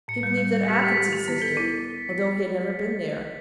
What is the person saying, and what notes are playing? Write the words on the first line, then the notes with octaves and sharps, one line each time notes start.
He believed that Athens existed, although he had never been there.
A2 C#7
G3
G3
G3
G4 B6
A6
G4 B6
G4
G4
B3
A4
E4